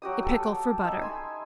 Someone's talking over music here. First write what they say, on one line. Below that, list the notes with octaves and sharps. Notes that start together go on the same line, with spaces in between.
A Pickle for Butter.
F#3 F#4 G4 D#6
A4 G5
D#4 E5
G#5 B5 C6